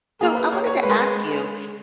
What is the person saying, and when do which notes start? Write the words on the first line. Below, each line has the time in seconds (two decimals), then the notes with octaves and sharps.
So I wanted to ask you,
0.21 A#3 G#4
0.37 B4
0.52 C#5
0.67 C#5
0.82 G#3 B4
0.89 A#4
0.97 B4